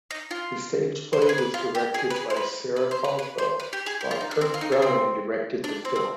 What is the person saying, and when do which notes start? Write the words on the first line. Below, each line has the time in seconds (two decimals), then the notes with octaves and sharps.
The stage play was directed by Sarah Caldwell while Kirk Browning directed the film.
0.11 D#4
0.31 F4
1.13 C5
1.22 B4
1.29 G#4
1.38 B4
1.54 F4
1.75 G4
1.94 G#4
2.10 B4
2.16 G#4
2.30 C5
2.37 B4
2.76 B4
2.91 C5
3.04 B4
3.19 B4
3.38 C5
3.60 B4
3.73 G4
3.86 G#4
4.01 G4
4.11 F4
4.21 D#4
4.31 D4
4.41 C4
4.54 F4
4.61 D#4
4.72 D4
4.82 C4
5.64 D4
5.85 C4
5.96 C4